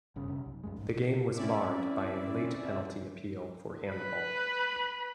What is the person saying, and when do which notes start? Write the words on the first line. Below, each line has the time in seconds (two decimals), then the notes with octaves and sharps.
The game was marred by a late penalty appeal for handball.
0.16 G1 C#3 C#4
0.28 F#2 C3
0.46 B1
0.63 B1 F#2 G#3
0.77 A1 G#2
1.34 C4 C#4 E4 D5 E5
3.92 B4 B5